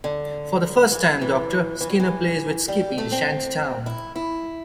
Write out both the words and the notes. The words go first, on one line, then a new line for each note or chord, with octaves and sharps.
For the first time, Doctor Skinner plays with Skippy in Shantytown.
D3
E3
E3
E3
F#3
E3
G3
A3
C4
E4
E4